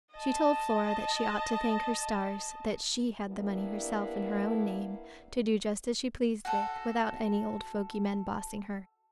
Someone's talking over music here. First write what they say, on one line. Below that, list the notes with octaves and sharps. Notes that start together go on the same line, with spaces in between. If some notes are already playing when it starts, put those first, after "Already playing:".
She told Flora that she ought to thank her stars that SHE had the money herself in her own name, to do just as she pleased with, without any old-fogy men bossing her.
D#5 A5
A#3 B3 D4 E4 G4 A#4
F#4 A4